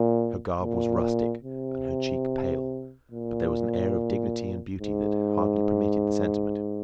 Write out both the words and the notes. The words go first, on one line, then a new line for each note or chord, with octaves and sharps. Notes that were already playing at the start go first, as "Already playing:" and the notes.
Her garb was rustic, and her cheek pale; but there was an air of dignity and beauty, that hardly permitted the sentiment of pity.
Already playing: A#2
A#2
C3
A#2
G#2